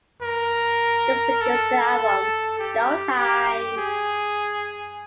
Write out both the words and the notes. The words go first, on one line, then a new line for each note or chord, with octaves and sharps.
This produced the album Showtime!
A#4
A4
G4
G4
G4
G#4